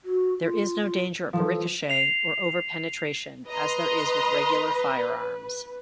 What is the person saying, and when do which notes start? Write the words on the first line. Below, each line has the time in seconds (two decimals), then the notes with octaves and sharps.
There is no danger of ricochet or over-penetration as there is with regular firearms.
0.05 F#4
0.39 F4
1.33 F3 A4
1.90 C7 F7
3.48 B4 D#5 A#5 C6